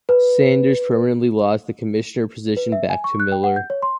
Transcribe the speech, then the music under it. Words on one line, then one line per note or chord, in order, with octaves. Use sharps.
Sanders permanently lost the Commissioner position back to Miller.
B4
B4
E5
G#5
C#6
F#6
G5
F#5
G6
C#5
C6